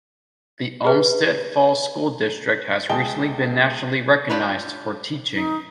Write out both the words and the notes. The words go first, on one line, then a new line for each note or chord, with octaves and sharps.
The Olmsted Falls School District has recently been nationally recognized for teaching.
G4 G#4 B4
C#2 G#4 D#5 G5 A5 G7
G3 D4 F4 B4 C#5
D#4